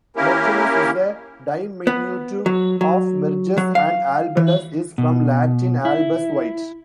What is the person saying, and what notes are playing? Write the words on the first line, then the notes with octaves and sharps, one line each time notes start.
"Mergellus" is a diminutive of "Mergus" and "albellus" is from Latin "albus" "white".
A#3 C#4 E4 G4 A#4
B3
F#3
F#3
F#3
F5
E3
B2
E4